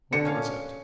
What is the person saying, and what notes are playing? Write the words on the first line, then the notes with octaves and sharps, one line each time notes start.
What was it?
D3 C#7
C#4 F5